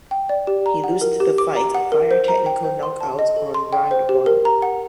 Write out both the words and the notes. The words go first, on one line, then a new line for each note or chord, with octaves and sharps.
He lost the fight via technical knockout on round one.
G5
D5
G4
A#5
F#5
A#4
G4
D6
A#5
F#5
A#4
C5
A#5
G5
C5
C6
A5
D#5
A4
C6
G5
C5
G4
A#4
A#5
F#5